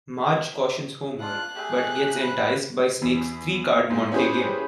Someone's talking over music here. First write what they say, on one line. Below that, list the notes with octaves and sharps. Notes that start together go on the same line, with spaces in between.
Marge cautions Homer, but gets enticed by Snake's Three-card Monte game.
D4 F4 F5 F#6
A3 G4 G#4
B4
E2
G#2
C#4 E4 G4 G#4 B4 C5